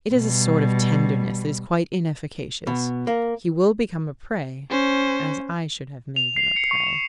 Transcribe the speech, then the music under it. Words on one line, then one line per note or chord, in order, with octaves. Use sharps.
It is a sort of tenderness that is quite inefficacious. He will become a prey, as I should have made him a prey.
B2 G3
B2
A#3
C#4 C5
F7
C7
C#7
C#6
E7